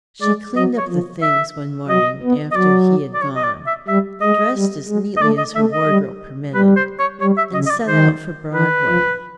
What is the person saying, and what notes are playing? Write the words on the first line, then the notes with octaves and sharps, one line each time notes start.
She cleaned up the things one morning after he had gone, dressed as neatly as her wardrobe permitted, and set out for Broadway.
G#3 D5
F#3 D#5
C#5
F3
E5
F#3 D#5
B3
D#5
F#3 D5
D5
C#5
D#5
D5
E5
G3 E5
G#3 D#5
G3
G#3
D#5
A3 D5
D#5
A3 E5
D#5
G3
G3 B4
C5
C#5
G3 C#5
E5
C#3 D#5
D#5
D5
D#3 C5
E3 B4
F3